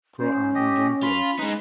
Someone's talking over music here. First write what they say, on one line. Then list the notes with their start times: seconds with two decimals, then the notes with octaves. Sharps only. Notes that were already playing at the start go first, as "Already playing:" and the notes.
Pro-Am in gameplay.
0.19 C#4 C5
0.55 G4 D#5
1.03 F4 B5
1.39 G#3 D#4 B4